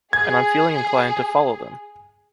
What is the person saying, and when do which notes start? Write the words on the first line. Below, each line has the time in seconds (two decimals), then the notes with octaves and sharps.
And I’m feeling inclined to follow them.
0.13 G#4 G#6